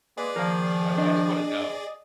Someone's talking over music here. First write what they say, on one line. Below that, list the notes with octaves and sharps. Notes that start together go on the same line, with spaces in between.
I don't I don't wanna know.
G#3 A#3 G#4 B4 D5
A#2 D#3 F3 A#4 F5 C7
D4 D#5